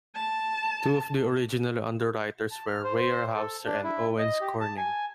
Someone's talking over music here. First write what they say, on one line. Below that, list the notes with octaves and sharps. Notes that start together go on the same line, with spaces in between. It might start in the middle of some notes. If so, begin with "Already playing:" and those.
Two of the original underwriters were Weyerhauser and Owens-Corning.
A5
A5
F6
C5
C5
A4
D4
E4
D#5
G4
A5
G#5